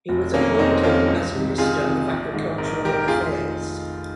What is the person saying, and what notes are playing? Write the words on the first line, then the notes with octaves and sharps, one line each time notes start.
He was appointed as Minister of Agricultural Affairs.
F1
F2 C3 D#3 A#3 C#4
F1 C4 D#4
F2 C3 D#3 C#4 F4
C#2
C3 D#3
C#2 F4 G#4
C3 D#3
A#1
G#2 D#3
A#1 A#4
G#2 D#3 G4 A#4
F1 F4 G#4
D#3